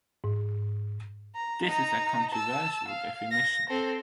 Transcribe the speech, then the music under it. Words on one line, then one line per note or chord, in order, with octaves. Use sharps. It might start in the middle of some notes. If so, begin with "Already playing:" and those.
This is a controversial definition.
G#2
A#5
D#4 A#5
A5 E6
F5
A#6
C4 A4